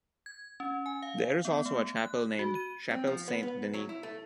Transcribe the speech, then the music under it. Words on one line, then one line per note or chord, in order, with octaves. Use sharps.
There is also a chapel named Chapel Saint Denis.
G#6
C#4
G#5
F5
B3
A3
F#6
F#4
D#7
C4
F3
B3
B3
F#3
E4
A3